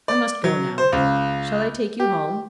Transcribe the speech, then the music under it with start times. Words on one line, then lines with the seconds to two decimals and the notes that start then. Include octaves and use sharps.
"I must go now. Shall I take you home?"
0.08 D5
0.44 F#3
0.78 C5
0.93 C#2
2.00 G4